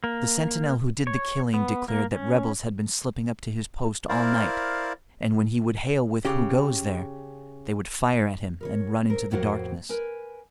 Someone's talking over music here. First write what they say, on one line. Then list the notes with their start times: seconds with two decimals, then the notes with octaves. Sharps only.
The sentinel who did the killing declared that Rebels had been slipping up to his post all night, and when he would hail with "Who goes there?" they would fire at him and run into the darkness.
0.04 A#3
1.07 C#5
1.54 B3
1.88 A#3
2.13 C#4
4.09 E4 A#4 C5 D5 F5
6.25 C#3 G4
8.61 A#4 B4 C#5
9.08 C4 A#4
9.31 F2 A2 C4 F#4 A#4 F#5
9.89 A#4 B4 G#5